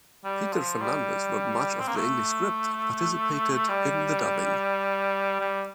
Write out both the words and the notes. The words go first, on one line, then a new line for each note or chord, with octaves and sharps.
Peter Fernandez wrote much of the English script, and participated in the dubbing.
G3
F3
G3
C4
A#3
A3
G3
G3